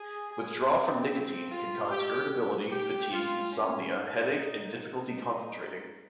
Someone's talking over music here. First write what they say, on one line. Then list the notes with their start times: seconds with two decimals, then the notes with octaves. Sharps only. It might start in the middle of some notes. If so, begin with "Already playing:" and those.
Withdrawal from nicotine can cause irritability, fatigue, insomnia, headache, and difficulty concentrating.
Already playing: G#4
0.30 G#4
0.70 C4
1.51 F4
1.90 G4
2.70 G4
3.11 F4
3.51 C#4
3.92 D#4
4.72 D#4